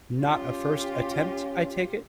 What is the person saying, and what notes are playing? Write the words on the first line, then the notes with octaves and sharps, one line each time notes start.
Not a first attempt, I take it?
C#4 F4 G4